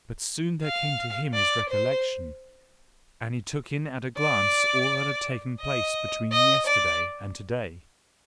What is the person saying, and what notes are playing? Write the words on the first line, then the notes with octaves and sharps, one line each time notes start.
But soon there came to him his recollection, and he took in at a glance all that had taken place between yesterday and to-day.
F5
D5
C5
D5
D#5
D#5
D5